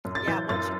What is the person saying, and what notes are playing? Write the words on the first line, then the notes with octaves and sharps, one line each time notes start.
yeah, once you
F#2
A6
E3 G6
F#2 A6